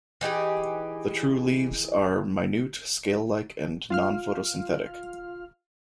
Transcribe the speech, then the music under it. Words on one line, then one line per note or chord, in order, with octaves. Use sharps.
The true leaves are minute, scale-like and non-photosynthetic.
E3 D#4 G4 G#4
F4 F5 F6